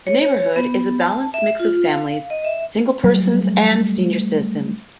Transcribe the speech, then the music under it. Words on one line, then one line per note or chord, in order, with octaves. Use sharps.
The neighborhood is a balanced mix of families, single persons, and senior citizens.
C#5
B3
A5
E5
F4
F5
D#5
E5
F#3 G3 A3